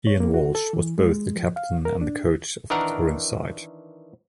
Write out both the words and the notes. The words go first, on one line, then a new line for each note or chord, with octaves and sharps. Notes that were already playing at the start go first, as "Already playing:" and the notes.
Ian Walsh was both the captain and the coach of the touring side.
C#5
A#3
F#4
A4
E3
G#3
F3
F5
A#4
D4
D#3 E3 D4 A#4 F#5 A#5